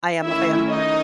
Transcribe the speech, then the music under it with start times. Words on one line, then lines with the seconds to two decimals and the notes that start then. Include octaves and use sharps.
I am a fan.
0.23 D#3 A3 C#4 E4 E5
0.71 D#4 D#5